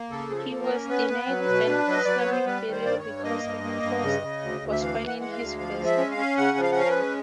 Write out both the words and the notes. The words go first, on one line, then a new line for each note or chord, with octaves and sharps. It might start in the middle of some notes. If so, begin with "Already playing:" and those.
He was denied an Islamic burial because a cross was found in his vest.
Already playing: A#3
C#3 A4
F3 G#4
A4
A#3
A#4
C#4
B3 B4
B3
F#3
B2
D4
F#3 D#5
F#3 D5
C#5
B3
C5
G3 B4
D#3
C5
G2 D5
C#5
G2
A#3 D#5
G2
A#3
G2
C#3
C#3
D2
D2
E5
E3 F5
E3
F#5
G#3 F#5
F5
D2
F3 F5
G#3
E5
C#4
F5
C#4
C#3 F#5
F3
F5
F#5
C#4 F5
A#4
B4
G#3